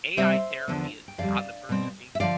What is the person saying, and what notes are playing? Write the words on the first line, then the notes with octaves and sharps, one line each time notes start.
AI therapy is on the verge of being here.
C3 G3 C4 C5 E5
E2 D3 F3 B3
G5
F2 D3 G3 D5 F5
B2 G3 C4
E5
D3 F3 D5 F5